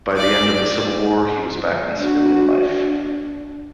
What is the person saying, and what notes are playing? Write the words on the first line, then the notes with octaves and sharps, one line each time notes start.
By the end of the Civil War he was back in civilian life.
D5
D4 F#4
D4